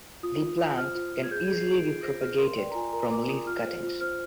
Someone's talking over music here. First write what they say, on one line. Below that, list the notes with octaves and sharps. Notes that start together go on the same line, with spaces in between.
The plant can be easily propagated from leaf cuttings.
F4 D#6
F4
F4
C5 F6
F4
F4
G#6
G#4 G6
G#4 G#6
C7
F4
D7
F4
C5 A#6
G#4 F6
A#4 C6
D5 G5
A#5
F4 G#5
A#4 A#5
A#4 D6
F4 D#6
F4 F6
C5
F4
C5 F6